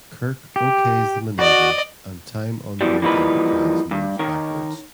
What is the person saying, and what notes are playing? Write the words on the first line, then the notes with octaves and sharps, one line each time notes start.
Kirk okays the maneuver, and time on board the "Enterprise" moves backwards.
G4
F#4 D5 D#5
B2 E3 G3
E3 F3 G3 A#3 D#4 B4
G2
D#3 A#4 C#5